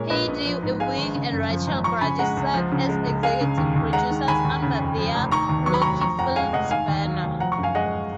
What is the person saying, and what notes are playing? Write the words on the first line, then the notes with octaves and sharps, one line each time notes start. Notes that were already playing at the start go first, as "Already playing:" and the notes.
Heidi Ewing and Rachel Grady serve as executive producers under their Loki Films banner.
Already playing: A#2 G#3 A#4 C#5
A#1 B4 D#5
A#1
F3
G#2
G#3 F5 G#5
G#1
C#3
F#2
F3
G#1
F3 A#5 C#6
C#3 G#5 B5
G#3 F#5 A#5
C#2
F3
C#3
G#3
C#2
G#3 F5 G#5
C#3
D#2
D#2
G#3 F#5 A#5
D#3
D#2 G#5 B5
D#2
C#3
F2
F3
F1
D#3 A#5 C#6
D#2
F#3 C#6
B5
F1 A#5 C#6
F3 A#5 C#6
F2 F#5 A#5
G#3 F5 G#5
F1 D#5 F#5
D#3 F5 G#5
D#2
F#3
F1
F3 F#5 A#5
A#5 C#6
F#2
F5 G#5
G#3 D#5 F#5